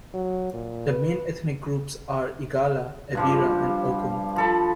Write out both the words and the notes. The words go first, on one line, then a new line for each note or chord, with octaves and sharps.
The main ethnic groups are Igala, Ebira, and Okun.
F#3
A#2
B4
G2 F3 G3
F3 A4 B5